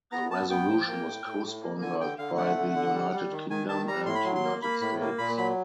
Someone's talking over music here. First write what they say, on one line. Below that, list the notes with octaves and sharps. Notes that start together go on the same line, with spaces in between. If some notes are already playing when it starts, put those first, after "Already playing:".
The resolution was co-sponsored by the United Kingdom and United States.
B3 A#5
B3 A5
B3 G5
F3
A#3
A2
A2
A2
A#3
D3 G#5
D3 G5
D3 F5
A3 F#5
D3
D3
G3
G3
D#3
D#3 G#5
D#3 A5
G3 A#5
A2 C6
B5
F#3 C6
C6
A#3
A#3 B5
A2 B5
A#3
A#2 B5
F#3 B5